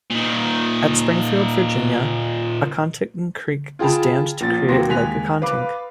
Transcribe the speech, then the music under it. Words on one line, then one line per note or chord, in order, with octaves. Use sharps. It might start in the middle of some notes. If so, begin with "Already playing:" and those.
At Springfield, Virginia, Accotink Creek is dammed to create Lake Accotink.
A#2 D#3
F4 G#4 G5 A5 B5
A#1 A#2 A6
D#2 C3 F#3 C6 A#6
D#2 G#3 G#5 F#6 B6 F7
B4 F5 D6